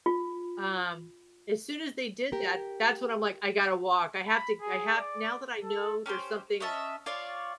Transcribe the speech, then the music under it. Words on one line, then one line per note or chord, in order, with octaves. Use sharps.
um, as soon as they did that, that's when I'm, like, I gotta walk. I have to g I have now that I know there's something,
F4
G4 A#4
B5
G#4
D5
A4
C#4 G4 A#4 C5
C#4 D#5 E5 A5
F4 C#5 D5 F5